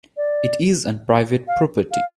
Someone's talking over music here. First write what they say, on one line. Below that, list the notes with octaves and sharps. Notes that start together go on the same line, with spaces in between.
It is on private property.
D5
F5
F5